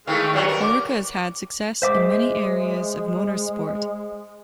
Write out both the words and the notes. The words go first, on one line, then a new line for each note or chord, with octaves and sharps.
Oreca has had success in many areas of motorsport.
D#3 E3 G#3 A3 F5
G2 F#3 G3 C#5 F#5
A#4
D6
G#3 C5 E5 D6